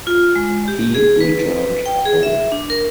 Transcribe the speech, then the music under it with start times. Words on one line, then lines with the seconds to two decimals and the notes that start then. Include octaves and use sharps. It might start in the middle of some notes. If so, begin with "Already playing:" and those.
He returned home.
0.07 F4
0.36 G#3
0.68 G4
0.95 G#4
1.20 B4
1.86 G5
2.06 G#4
2.23 E5
2.52 D4
2.70 A#4